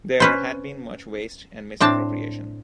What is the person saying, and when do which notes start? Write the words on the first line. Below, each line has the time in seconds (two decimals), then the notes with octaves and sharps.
There had been much waste and misappropriation.
0.20 C#4 B4 C5
1.80 A2 C4 D4 A5